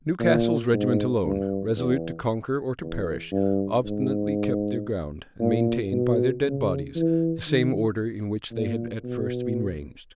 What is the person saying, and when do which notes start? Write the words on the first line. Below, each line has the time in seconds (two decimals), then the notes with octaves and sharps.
Newcastle's regiment alone, resolute to conquer or to perish, obstinately kept their ground, and maintained, by their dead bodies, the same order in which they had at first been ranged.
0.20 A#2
0.73 G#2
1.24 G2
1.76 E2
2.80 E2
3.32 G2
3.84 G#2
5.39 A#2
5.92 B2
6.44 C#3
6.95 E3
7.47 D#3
8.51 A#2
9.03 B2